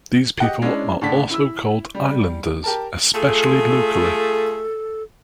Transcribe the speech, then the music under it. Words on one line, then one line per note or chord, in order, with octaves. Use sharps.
These people are also called "Islanders", especially locally.
G4 D#5 F#5
G#3 C#4 D4 E4
A2 D3 D4 A5 B6
E4 E6
G3
G4 A#4 A5
A3 F4 G#4 A4